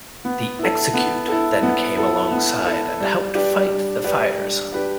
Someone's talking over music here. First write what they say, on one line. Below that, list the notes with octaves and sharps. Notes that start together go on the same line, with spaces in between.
The "Execute" then came alongside and helped fight the fires.
B3
E4 A4
B3
E4 A4
B3
E4 A4
B3
E4 A4
G3
D4 G4 B4 D5
G3
D4 G4 B4 D5
G3
D4 G4 B4 D5